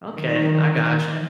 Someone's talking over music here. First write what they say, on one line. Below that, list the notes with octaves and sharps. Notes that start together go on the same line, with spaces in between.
Okay, I gotcha.
D#3